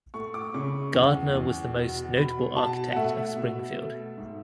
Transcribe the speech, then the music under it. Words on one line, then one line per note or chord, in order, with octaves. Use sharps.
Gardner was the most notable architect of Springfield.
A3 C#6
D6
C#3 C#6
E2
E2
B2
B2 B5
B2 A5
F#5
A3 E5
B2
A3
G#2